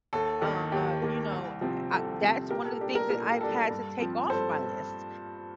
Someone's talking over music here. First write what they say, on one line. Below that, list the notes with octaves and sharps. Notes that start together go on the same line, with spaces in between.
uh, you know, uh, that's one of the things that I've had to take off my list.
D#2 A4
D#3 A#3
D#2 G4
D#3 A#3
C2
C3 F3 C4
C2 A4
C3 F3 C4
A#2 G4 A#4
A4
G3 D4 G4
G4 A#4
A#2 A#4
A4
G4
G3 D4 A4
G2
F3 C4
G2 A4 C5